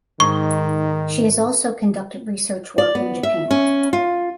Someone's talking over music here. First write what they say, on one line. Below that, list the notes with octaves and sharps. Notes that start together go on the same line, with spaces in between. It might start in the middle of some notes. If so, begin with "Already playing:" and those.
She has also conducted research work in Japan.
G#2 D#3 C#6
D5
B3
E5
C#4
F4